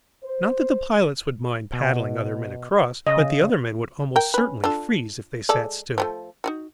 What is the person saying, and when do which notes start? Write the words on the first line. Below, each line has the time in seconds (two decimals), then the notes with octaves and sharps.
Not that the pilots would mind paddling other men across, but the other men would almost certainly freeze if they sat still.
0.23 C5
1.73 B2
3.07 C#3 D#5
4.16 A#4 G5
4.34 C#4 B4
4.64 D4 F4 A4
5.49 G#3 A4 D5
5.98 F3 F#3 A3
6.44 D#4 F4 F#4